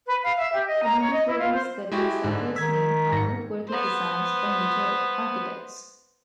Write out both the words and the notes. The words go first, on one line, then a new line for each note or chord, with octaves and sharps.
Among these buildings that bear Sackler's name are noteworthy designs by major architects.
B4
F5
E5
G4
D#5
A#5
C#5
D#5
E4
F4
C5
G#3 E4 F#4 G4
G#2 D3 G#3
D#3 E6 G#6 B6
G#2 A#6 C#7
B3 C5